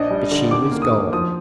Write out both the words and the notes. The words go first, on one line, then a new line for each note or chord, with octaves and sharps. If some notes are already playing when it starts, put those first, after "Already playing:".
But she was gone.
Already playing: A#1 D4 D#5
G3
D3
D#2 D6
A#3
D#6
D#3
F3 D#6